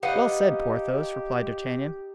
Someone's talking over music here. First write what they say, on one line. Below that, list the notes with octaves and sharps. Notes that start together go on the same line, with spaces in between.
"Well said, Porthos," replied D'Artagnan.
D#4 G4 B4 D#5 F5 F#5